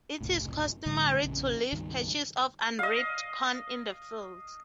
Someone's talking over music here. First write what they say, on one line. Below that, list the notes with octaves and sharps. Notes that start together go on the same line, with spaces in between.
It is customary to leave patches of unreaped corn in the fields.
F#1 C2 A2
B1 A2 D3 G#3
A#1 F2 C#3
C#2 G2 D#3
D#5 F5